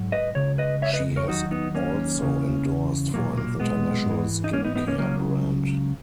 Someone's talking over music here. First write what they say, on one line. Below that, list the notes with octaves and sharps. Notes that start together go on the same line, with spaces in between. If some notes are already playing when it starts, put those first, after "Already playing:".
She has also endorsed for an international skin care brand.
Already playing: G#2 F#3
B4 D#5
C#2 C#3 C#5
B4 D#5
C#5 E5
B4 D#5
A#4 C#5
D#2 D#3 F#3 D#4 F#4
B3 D#4
A#3 C#4
E2 C#3 E3
B1 A#2 F#3 A#3
A#3
G#3 B3
G#2 E3
D#4
A#3 C#4
B3 D#4
B3 D#4
A#3 C#4
C#2 C#3 F#3 A#3 C#4